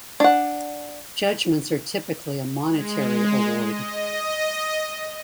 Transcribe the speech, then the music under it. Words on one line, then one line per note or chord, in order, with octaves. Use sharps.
Judgments are typically a monetary award.
D4 F#5
G#3
D#5